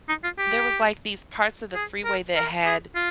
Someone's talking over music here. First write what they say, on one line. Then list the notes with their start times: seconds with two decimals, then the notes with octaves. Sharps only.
there was, like, these parts of the freeway that had
0.09 D#4
0.24 F4
0.38 G4
1.75 G#4
2.05 A#4
2.36 A#4
2.66 G#4
2.95 F4